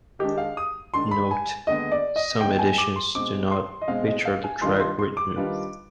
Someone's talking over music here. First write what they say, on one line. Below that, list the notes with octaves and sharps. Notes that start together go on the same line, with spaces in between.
Note: Some editions do not feature the track "Written".
D#3 G#3 D4 G4
F5
D#6
D#3 G#3 D4 C6
B5
G#5
D#2 D3 G#3 B3 D#5
D5
D#5
D#2 D3 G#3 B3 G5
G#5
D6
C6
B2 G#3 C4 D6
C6
D#5
B2 G#3 C4 F5
D#5
F5
G#5
D#3 G3 D4 F4 B4 C6
C6
C6
D6
D#3 G3 D4 F4 B4